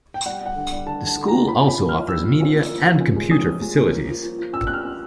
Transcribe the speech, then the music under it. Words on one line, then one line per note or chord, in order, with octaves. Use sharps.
The school also offers media and computer facilities.
G5
G3 F#5
G3 F#5
D3
G3
D3 A5
D3 A5
D3
D3 A#5
F3 B5
C#4 B5
F3
F3 F6
F3 E6
F3
C#4
A#3
F3
F3
C#4
G#3
C#4 D#6
F3
G#3
C#4
A#3
F3
F3
F3
C#4 E6
C#4 F#6
F6
C#4